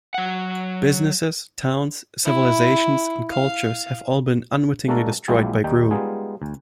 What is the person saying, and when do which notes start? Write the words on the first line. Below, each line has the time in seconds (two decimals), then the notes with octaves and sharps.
Businesses, towns, civilizations and cultures have all been unwittingly destroyed by Groo.
0.14 F#3 F#5
2.25 E4
3.31 F5
4.88 G#3 A3 D4 F#4 A4 A#4
5.28 A#1 F#3 G#3 E4 F4 G4
5.64 D#2 G3 D#4 G5
5.91 G3 G#3 B3 D#4 F4 G#4
6.42 D2